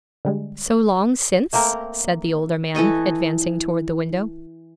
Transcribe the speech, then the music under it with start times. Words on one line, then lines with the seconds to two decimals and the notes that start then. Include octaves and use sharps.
'So long since?' said the older man, advancing toward the window.
0.25 D3 G3 G#3
1.53 A3 A#3 C4 A#4
2.75 E3 A4 D#5 C#6